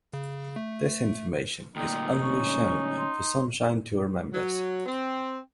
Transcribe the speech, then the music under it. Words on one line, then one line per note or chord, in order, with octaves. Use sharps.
This information is only shown for Sunshine Tour members.
C#3
A3
D2 A#2 D#4 G5
C#4 C#6
C6
F#3
C4